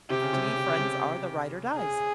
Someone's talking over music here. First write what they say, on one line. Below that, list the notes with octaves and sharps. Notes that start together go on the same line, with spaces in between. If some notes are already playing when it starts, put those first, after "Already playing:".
to me, friends are the ride or dies.
C3 G4
C#3
C3
C#3
C3
C#3
C3
G#4